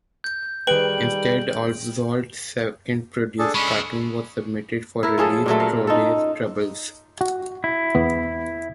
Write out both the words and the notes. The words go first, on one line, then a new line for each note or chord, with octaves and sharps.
Instead, Oswald's second-produced cartoon was submitted for release: "Trolley Troubles".
G6
D#3 G3 G#4 B4 G5 D7 F#7
D4 G#4 A4
G#3 C#4 B5 C#6
E4 A#4
F3 C#4 G#4 A4
A#2 F#3 A3
A#4 F5 F#5
D#4 F4 A4
F#4
E4
E2 B3